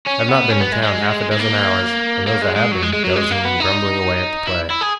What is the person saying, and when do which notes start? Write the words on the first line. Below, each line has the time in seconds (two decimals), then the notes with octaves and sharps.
I have not been in town half-a-dozen hours, and those I have been dozing and grumbling away at the play.'
0.06 C#4
0.29 B3
0.50 C#4
0.61 B3
0.73 G#3
0.83 G#3
1.32 G#3
1.39 A#3
2.27 A#3
2.42 G#3
2.56 G#3
2.72 F#3
2.82 G#3
2.93 G#3
3.04 F#3
3.16 G#3
3.31 A#3
3.45 B3
3.60 D#4
4.48 E4
4.71 E4
4.81 G#4